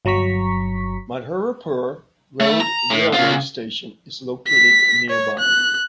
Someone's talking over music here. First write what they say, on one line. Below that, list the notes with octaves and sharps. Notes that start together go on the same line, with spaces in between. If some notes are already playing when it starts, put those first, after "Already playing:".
Mathurapur Road railway station is located nearby.
G1 F#3 A#5 C#6 B6
A3
A#5
A2
C#3 F4
B6
C#5
F#6